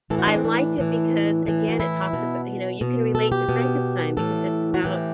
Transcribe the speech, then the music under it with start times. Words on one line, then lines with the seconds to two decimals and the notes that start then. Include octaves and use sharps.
I liked it because, again, it talks abo you know, you can relate to Frankenstein because it's about
0.10 A2 E3 A4
0.19 F#4
0.27 D4
0.36 C4
0.45 D4
0.78 A2 E3
1.46 A2 E3
1.69 F#4
1.80 E4
2.13 B2
2.81 B2
3.15 A4
3.32 G4
3.49 B2
4.17 A2 E3 A4
4.74 F#4
4.84 A2 E3 G4